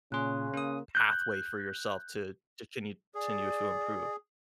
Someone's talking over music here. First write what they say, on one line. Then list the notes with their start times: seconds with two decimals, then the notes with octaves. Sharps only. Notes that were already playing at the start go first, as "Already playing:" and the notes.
pathway for yourself to to continue- continue to improve.
0.12 A#2 C#3 C#4 G#4 C6 F#6
0.54 A#3 C#4 D#6
0.95 F#6 G6
3.15 G#4 D5